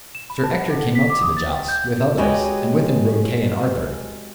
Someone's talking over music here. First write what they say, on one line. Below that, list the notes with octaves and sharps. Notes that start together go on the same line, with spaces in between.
Sir Ector came up to the jousts, with others, and with him rode Kay and Arthur.
E7
B5
A5
F#5
A4
F#5
B6
D6
D#6
A6
G5
G6
G#3 F#4 G4 B4 C#5 D#5